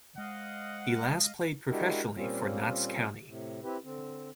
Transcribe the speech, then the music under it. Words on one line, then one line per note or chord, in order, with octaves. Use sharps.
He last played professionally for Notts County.
G#3 C5 D#5 F5 F#5
G#3 D4 E4 F#4 G4 A#4
A#2 G3 A#3 C4 C#4 F4
A2 C3
C4 E4 G4 B4
D3 C4